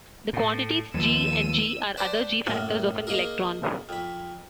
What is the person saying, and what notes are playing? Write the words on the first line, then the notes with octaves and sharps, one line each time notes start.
The quantities "g" and "g" are other "g"-factors of an electron.
A2
D#2 F3 E6 D#7
B4 C5 D5 G5 A5 C6
F#2 A2 A#3
A#3 D#4 G#4 A#4
F2 B5